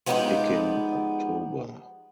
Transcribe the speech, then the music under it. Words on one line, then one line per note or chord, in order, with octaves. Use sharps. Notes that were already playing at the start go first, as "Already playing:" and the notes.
Picking October.
F3 G#3 B3 D#4 G4 D5